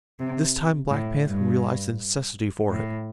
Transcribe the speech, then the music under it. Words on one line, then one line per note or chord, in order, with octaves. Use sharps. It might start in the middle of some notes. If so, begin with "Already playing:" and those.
This time Black Panther realized the necessity for it.
C3
A2
G2
A2